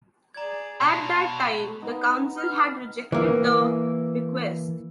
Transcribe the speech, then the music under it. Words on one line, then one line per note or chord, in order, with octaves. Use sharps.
At that time the Council had rejected the request.
G#4 D5 A#5 G#6
B2 A5 A#5 C6 F#6
B3 D#4
F6
E3 A#3